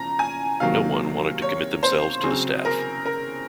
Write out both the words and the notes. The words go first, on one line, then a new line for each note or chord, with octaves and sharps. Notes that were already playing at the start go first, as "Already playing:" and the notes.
No one wanted to commit themselves to the staff.
Already playing: C#3 F3 A#5
G#5
C3 D#3 F#3 A#3 F5
C#5
C5
C#3 F#3 C4 G#4
A#4
A#4